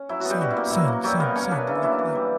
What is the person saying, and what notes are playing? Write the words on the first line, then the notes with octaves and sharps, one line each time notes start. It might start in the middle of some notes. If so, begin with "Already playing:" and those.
Son, son, son, son, like like,
Already playing: C#4
F#3 E4
B3 F#4
G3 G4
G3 F#4
E4
A#3
F#3 E4
A#3
F#3 G3 G4
A#3 B3 A#4
A#3 C#4 C#5
B3 D4 B4
C#3 E4
F#3 E4
E3
G3